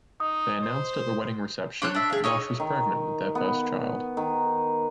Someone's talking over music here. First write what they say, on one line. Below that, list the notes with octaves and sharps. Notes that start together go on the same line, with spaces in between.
They announced at the wedding reception that Marsh was pregnant with their first child.
D#4 D#6
C5
D4 C5 C#5 F#6
D4 E5
G#4 F5
D#4 C#5 D#5
D#3
B3
D#3